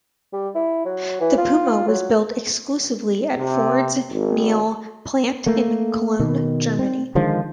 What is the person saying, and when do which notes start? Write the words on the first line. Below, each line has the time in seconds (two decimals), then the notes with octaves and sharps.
The Puma was built exclusively at Ford's Niehl plant in Cologne, Germany.
0.33 G3
0.55 E4
0.85 F#3
1.21 E3
1.37 F4
1.88 F#3
3.36 C3
4.11 G#1
5.46 A3 A#3
6.19 B2 D#3
6.79 C4
7.15 D3 D#3 F3 G#3